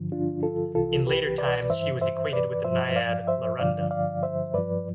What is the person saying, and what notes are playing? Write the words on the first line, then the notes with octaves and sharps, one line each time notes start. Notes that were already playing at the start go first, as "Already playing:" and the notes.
In later times, she was equated with the naiad Larunda.
Already playing: G2 D3 F3
D4 F4
F4 A4
C2 C3 E3 F4 A4
G4 B4
B4 D5
G2 E3 C5 E5
C5 E5
B4 D5
G2 F3 C5 E5
D5 F5
C5 E5
G2 D3 F3 D5 F5
D5 F5
C5 E5
G2 F3 B4 D5